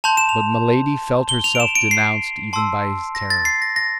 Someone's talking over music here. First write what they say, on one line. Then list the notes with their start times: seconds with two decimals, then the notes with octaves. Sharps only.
But Milady felt herself denounced even by his terror.
0.04 A5 C6 G6 F7
0.17 E7
0.29 F7
1.29 G7
1.44 F7
1.55 D7
1.60 E7
1.75 D7
1.91 C7
2.53 A5 C6 E6
3.15 A#6
3.30 A6
3.45 C7
3.62 A#6
3.76 A#6